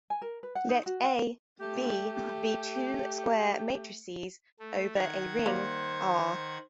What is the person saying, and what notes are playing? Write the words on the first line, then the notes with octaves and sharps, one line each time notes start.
Let "A", "B" be two square matrices over a ring "R".
G#5
A#4
B4
F#5
D#4
F#4
F#5
A3 G4
A3
D#3 F#5 G#6
G3 A#3 C5